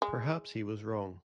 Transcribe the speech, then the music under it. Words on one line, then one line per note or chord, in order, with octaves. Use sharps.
Perhaps he was wrong.
G#3